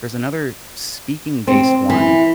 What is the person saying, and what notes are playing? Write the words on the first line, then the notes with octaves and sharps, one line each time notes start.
There's another speaking-based one,
C4
E3